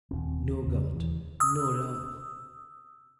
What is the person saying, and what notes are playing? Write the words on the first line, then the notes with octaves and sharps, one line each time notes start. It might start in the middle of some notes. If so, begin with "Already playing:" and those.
No God! no Love!
D#1 C4
E2 C#3
D#1 E3
D#6 E6